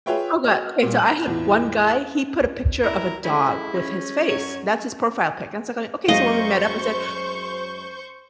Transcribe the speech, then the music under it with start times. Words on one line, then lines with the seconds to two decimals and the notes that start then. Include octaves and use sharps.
Oh god, okay, so I had one guy, he put a picture of a dog with his face. That's his profile pic, and so I'm like, "okay," so when we met up, I said,
0.06 F4 G#4 B4 C#5 E5 G5
0.44 F#4 D#5 F6
0.82 A#2 G3
0.99 F#7
1.26 E2 A2 F4
2.83 E4 A#4
3.25 G#3 A3 C#4 E4 F5
3.74 C#4
4.29 F#2 C#5
6.08 F#2 G#3 C5 D#5 F5 C#6 G6